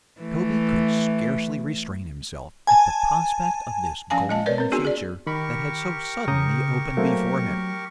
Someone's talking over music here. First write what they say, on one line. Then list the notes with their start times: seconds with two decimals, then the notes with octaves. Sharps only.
Toby could scarcely restrain himself at the prospect of this golden future that had so suddenly opened before him.
0.21 E3 A3
2.67 G#5 A5
4.10 F3 C#4 F5 G#5 A5
4.29 G#3 D#5 A5
4.46 A#4 B4 C#5 D5
4.58 C4 A#4
4.72 B3 D4 F#4 G#4
4.85 G#4 D5
5.27 D#3 G4 A#4 B5 C#6
6.28 C#3 A#5 D#6 G6
6.97 F#3 A3 A#3 C4